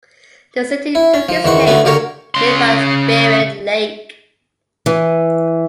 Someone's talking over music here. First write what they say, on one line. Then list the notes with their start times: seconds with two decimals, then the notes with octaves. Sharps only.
The city took its name from nearby Spirit Lake.
0.95 E4
1.14 C#4
1.29 F3
1.44 E2 D#3 E3 C5 F#5 C#6
1.66 D3 A3 B3 C#4 F#4
1.85 D3 G4 A#4 C#5 C#6
2.35 C#3 C6
4.86 E3